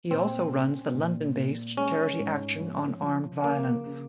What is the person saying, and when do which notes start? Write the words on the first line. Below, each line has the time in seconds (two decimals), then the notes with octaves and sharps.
He also runs the London-based Charity Action on Armed Violence.
0.11 A#2 C4
0.53 C#4
0.94 A#2
1.36 A#2
1.77 G#3 C#4
2.20 G#2
2.61 F3
3.02 F3
3.44 C#3 A#3
3.86 C#3